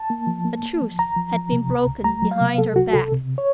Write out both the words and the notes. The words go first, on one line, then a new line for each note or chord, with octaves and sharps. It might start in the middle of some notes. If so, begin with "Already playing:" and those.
A truce had been broken behind her back.
Already playing: A5
A#3
F3
A#3
A#3
F3
C#2 A#5
F3
F3
C3
C#2
C#2
A3 A#5
F#3
F5
C3
F#3 A4
C2 F#4
C3 A4
C3
C#5